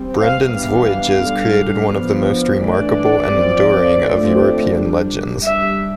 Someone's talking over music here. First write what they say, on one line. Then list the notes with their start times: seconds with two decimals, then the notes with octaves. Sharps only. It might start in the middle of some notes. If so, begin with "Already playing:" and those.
Brendan's voyages created one of the most remarkable and enduring of European legends.
Already playing: G3 C4
0.18 F5
0.53 E3 G3 B3 D4 F5
1.23 D3 G3 D4
1.92 F3 B3 D4
2.62 E3 A3 D4 D5
3.32 F3 C4
4.03 D3 F3 A3 C4
4.73 G3 D4
5.41 G3 D4 E5